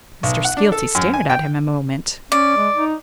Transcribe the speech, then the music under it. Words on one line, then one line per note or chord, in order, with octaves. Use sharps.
Mr. Skeelty stared at him a moment.
B1
F#5
D4
A4
F#2
G#5
G5
C#4 D5
G#3
D#4